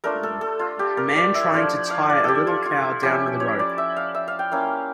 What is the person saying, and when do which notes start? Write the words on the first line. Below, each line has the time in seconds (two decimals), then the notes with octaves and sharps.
A man trying to tie a little cow down with a rope.
0.04 A3 D4 F4 A#4
0.23 A4
0.41 A4
0.59 F4
0.79 G4
0.97 A#4
1.16 D5
1.35 E5
1.54 F3 A3 D4 F5
1.90 F5
2.10 D5
2.24 G4 A4
2.47 F4
2.66 F4
3.03 F3 C#4 E4 G4
3.40 C#5
3.59 D5
3.78 E5
3.97 F5
4.15 E5
4.28 F5
4.39 G5
4.52 A#3 C#4 E4 F5